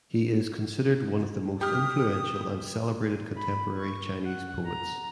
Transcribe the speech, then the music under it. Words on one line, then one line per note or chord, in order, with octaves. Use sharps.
He is considered one of the most influential and celebrated contemporary Chinese poets.
G4 D#6 F6
B5
C#6
F#5
A#5